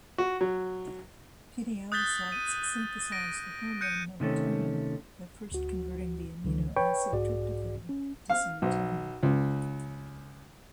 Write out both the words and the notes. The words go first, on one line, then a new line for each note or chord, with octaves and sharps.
Pinealocytes synthesize the hormone melatonin by first converting the amino acid tryptophan to serotonin.
F#4
F#3
D#6 F#6 G6 A6 B6 G7
D#7
A#6 D7 D#7
F#6 G6 C#7 D#7
C3 D#3 A3 C#4
D2 F#4
C#2 D3 E3
B4 C#5 G5 B5 C#6
B1 G#2 F#4 G#4 D5
C#4
F5
B1
C#2